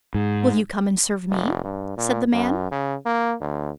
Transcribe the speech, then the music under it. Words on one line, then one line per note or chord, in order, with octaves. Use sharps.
"Will you come and serve me?" said the man.
G#2
F1
G2
A#2
F#2
C#3
A#3
D2